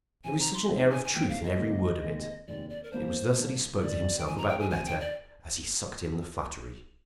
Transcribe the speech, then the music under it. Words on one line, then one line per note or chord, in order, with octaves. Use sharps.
"There is such an air of truth in every word of it." It was thus that he spoke to himself about the letter as he sucked in the flattery.
C3 F3 C4 D#4 G#5
A#5
C6
C3 F3 C4 D#4
G#5
G#5
G1 F2 C3 F3 A#3 G5
F5
D#5
G1 F2 C3 F3 A#3
F1 D#2 D#3 G#3
F1 D#2 D#3 G#3 D5
D5
A#4
A#2 G3 A#3 D4 C5
A#2 G3 A#3 D4
G1 F2 D#3 G#3 D5
G5
G1 F2 D#3 G#3 G#5
A#5
G5
G#5
D2 C3 F3 C4 F4 G#5
G5
D5